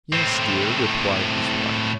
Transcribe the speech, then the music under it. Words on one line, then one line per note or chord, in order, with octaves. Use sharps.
"Yes, dear," replied his wife.
A2 C4